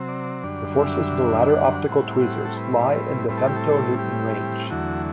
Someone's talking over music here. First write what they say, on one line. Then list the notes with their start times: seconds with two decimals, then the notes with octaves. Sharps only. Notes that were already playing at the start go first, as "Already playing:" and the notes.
The forces of the latter optical tweezers lie in the femtonewton range.
Already playing: C3 F#3 C4
0.08 D5
0.43 F#2 D3 G3 D4
0.79 E5
1.41 E5
1.50 F#5
1.86 A2 G3 C4 E4
2.21 F#5
2.45 A4
2.57 B4
3.28 A2 G3 C4 E4 B4
3.37 A4
3.47 G4
3.56 A4
3.99 G4
4.70 E2 D3 F#3 A3 E4 F#4